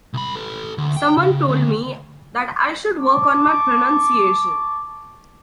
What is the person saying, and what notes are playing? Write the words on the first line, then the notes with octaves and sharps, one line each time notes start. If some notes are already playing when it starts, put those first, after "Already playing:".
Someone told me that I should work on my pronunciation.
C2 B5
A4 B4
D2
G5
C#3
D2
A5 C#6 D6